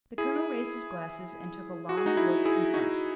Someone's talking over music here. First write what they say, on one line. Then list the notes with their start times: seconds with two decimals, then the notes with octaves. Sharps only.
The colonel raised his glasses and took a long look in front.
0.18 E4 G#4
1.89 F#4
1.97 G#4
2.06 D#4 F#4
2.17 E4 G#4
2.45 E4 G#4
2.74 D#4 F#4